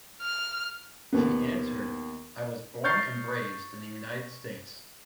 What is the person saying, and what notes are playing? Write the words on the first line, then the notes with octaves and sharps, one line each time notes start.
She answered, I was born and raised in the United States.
F6
D#2 B3
C#6 F6 G6 A6 C7